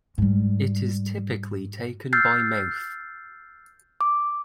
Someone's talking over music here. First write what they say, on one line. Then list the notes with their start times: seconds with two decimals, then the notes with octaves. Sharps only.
It is typically taken by mouth.
0.18 G#2 G3
2.13 E6 F6 G6 A6 C7
4.01 D6